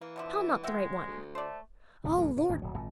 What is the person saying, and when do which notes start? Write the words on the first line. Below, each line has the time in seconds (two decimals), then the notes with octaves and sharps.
How not the right one?... O Lord!
0.01 E3 A#3
0.16 B2 D3 F3 E5
0.63 G#3 F#4 E5 G5
1.05 D2
1.35 A3 C5 D5
2.04 G#1 C#2 C#3
2.18 A#1 F#2 E3 A3
2.36 A2 C#3
2.49 G#1 D2 G#2
2.62 D1 F#3
2.78 G#1 A#2